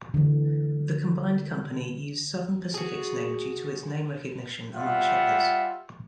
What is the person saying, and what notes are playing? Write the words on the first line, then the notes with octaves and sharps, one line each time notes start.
The combined company used Southern Pacific's name due to its name recognition among shippers.
D3 E3
F#4 G#4
G3 F4 E5 F#5